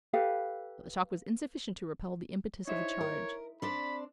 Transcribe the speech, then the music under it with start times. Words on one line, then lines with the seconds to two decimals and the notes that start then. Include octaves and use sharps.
But the shock was insufficient to repel the impetus of the charge.
0.13 G4 A4 B4 F5
2.68 D#4 E4 C5 C#5
3.01 A#4
3.62 C4 D4 D5 B5